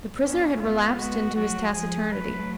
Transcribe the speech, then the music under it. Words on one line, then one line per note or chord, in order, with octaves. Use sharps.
The prisoner had relapsed into his taciturnity.
B3 C#4 D4
G#3 B3 F4
F#4
F#3 A3 F#4
F3 G#3 G#4
F#3 A3 B4